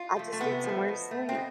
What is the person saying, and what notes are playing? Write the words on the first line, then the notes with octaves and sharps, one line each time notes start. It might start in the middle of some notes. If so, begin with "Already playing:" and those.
I just need somewhere to sleep.
Already playing: F4
F3 A3
A3
C3 B3
F3 A3
B2
A3
C4
B2